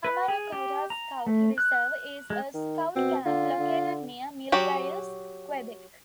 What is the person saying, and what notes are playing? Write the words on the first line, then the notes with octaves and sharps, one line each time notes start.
Tamaracouta Scout Reserve is a Scout camp located near Mille Isles, Quebec.
B4
G#4
G4
A#5
A3
F#6
G#3
D#3
B2 C4
D3 F4
D3
F#3 F#4 G4